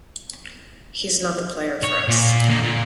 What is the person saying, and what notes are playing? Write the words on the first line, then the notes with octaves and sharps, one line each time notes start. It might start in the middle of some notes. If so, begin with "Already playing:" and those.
He's not the player for us.
C#5
A#2
D3 A#3
A#2